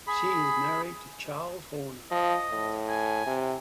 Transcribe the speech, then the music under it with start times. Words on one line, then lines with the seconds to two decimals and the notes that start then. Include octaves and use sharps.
She is married to Charles Horner.
0.07 G#4 B5
2.11 F3 D#5
2.50 A2
2.89 G#5
3.27 C3